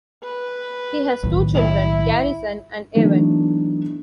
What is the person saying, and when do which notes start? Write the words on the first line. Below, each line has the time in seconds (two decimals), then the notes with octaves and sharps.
He has two children, Garrison and Evan.
0.23 B4
1.23 B1 A2 D#3
1.55 E4
2.95 E3 F#3 A3 B3 D4 D#4